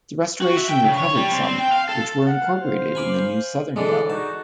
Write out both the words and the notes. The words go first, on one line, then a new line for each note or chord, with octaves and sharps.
The restoration recovered some, which were incorporated in the new southern gallery.
F#4
E5
G5
C#3
C#5
G3
C4
C4
G5
F5
A4
F5 F#5
C5
G#5 B5 D6
D3 E3 G#3 D4 D5
D#4 F#4 A5